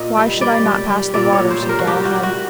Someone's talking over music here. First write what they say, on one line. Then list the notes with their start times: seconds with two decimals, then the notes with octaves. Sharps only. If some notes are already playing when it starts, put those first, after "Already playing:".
Why should I not pass the water? said Galahad.
Already playing: A#2 D#5
0.17 G3
0.41 G3 D5
0.66 G3
0.90 G3
1.14 A#2 D5
1.32 C#5
1.39 A#2
1.50 C5
1.62 G3
1.69 A#4
1.79 F#4
1.87 G3 G4
2.05 F#4
2.11 G3
2.23 F#4